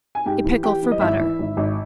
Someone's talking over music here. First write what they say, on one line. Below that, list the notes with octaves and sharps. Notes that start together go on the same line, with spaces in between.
A Pickle for Butter.
G#5
G#2 G4 G5
E3
E3 G4 G5
E3
D#5
G#1 E4 E5
E3
G#1
G#1